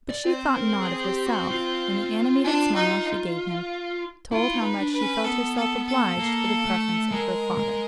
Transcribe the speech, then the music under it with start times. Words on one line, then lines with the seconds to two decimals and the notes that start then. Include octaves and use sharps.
But she thought not of herself, and the animated smile she gave him, told how much she felt herself obliged for the preference of her father.
0.09 D5
0.25 C4
0.33 C5
0.56 A#4
0.80 G#4
1.04 G4
1.26 F#4
1.51 F4
2.44 D4
2.75 D#4
4.32 E4 F4
4.54 D#4
4.62 B4
4.78 D4
4.94 B4
5.02 C#4
5.25 B3 A4
5.56 A4
5.87 A4
6.18 A#3
6.65 A3
7.11 G#3 A#4
7.58 G#3